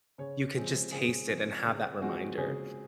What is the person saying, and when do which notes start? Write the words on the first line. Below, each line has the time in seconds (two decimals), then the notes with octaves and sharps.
you could just taste it and have that reminder.
0.18 C#3 C#5
0.55 F3 G#3 C4
0.91 C#3 G#4
1.28 F3 G#3 C4
1.65 C#3
2.01 F3 G#3 C4 F#4
2.37 C#3 G#4